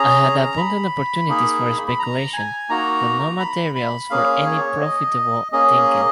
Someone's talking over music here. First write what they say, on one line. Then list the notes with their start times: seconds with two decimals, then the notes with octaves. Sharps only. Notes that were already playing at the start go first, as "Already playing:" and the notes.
I had abundant opportunities for speculation, but no materials for any profitable thinking.
Already playing: C#4 G#4 A#5
0.57 B5
1.28 A#3 D#4 G#4
1.87 B5
1.99 A#5
2.33 G#5
2.69 A#3 D#4 F#4 A#5
3.39 B5
3.75 B5
4.10 A#3 C#4 G#4 F5
4.46 C#5
4.81 D#5
5.52 A#3 C#4 G#4 D#5